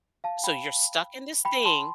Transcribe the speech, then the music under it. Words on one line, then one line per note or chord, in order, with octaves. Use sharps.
So you're stuck in this thing
F5 A5
G5 B5
G5 B5
A5 C6